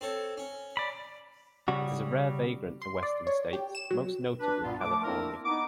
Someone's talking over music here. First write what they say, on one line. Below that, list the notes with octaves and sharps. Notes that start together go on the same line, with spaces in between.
It is a rare vagrant to western states, most notably California.
C4 A4 C#5
C#4
D5 B5
C#3 G3 F#4
C6
D5
C#5
G4
E7
F#3
D4 B4
C2 G2 A#2 B3 D4 F4
F3 A3 D6
A#3 C4 D4 E4 A#4
B3 D#4 D6